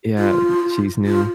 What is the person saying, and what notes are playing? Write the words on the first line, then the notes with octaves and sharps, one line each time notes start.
Yeah, she's new.
F4
F4